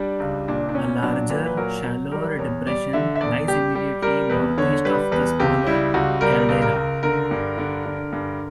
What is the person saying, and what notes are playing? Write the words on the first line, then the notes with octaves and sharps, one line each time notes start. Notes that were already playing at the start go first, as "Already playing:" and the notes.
A larger, shallower depression lies immediately northeast of the smaller caldera.
Already playing: G3 D4
C#2
A#2 D4
D4
A#2 C#4
F#3 D4
A#2 B4
B4
F#3 A#4
F#3
G3 A#4
E2 C#5
G3 D5
D3 E5
E5
E2 D5
G3 G4
G3 G4
G3 A#4
E2 B4
D3 C#5
G3 B4
E2 B4
C#2 G4
G3 E4
C#2 F#4
G3 A#4
C#2
A#4
C#2
D3 A#4
G2
D3
D3
G2